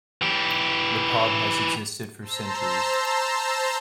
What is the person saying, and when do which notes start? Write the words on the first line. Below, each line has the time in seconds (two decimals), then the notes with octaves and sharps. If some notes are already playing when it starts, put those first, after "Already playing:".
The pub has existed for centuries.
0.22 E3 G4
2.21 C5 A5 A#5 C6 E6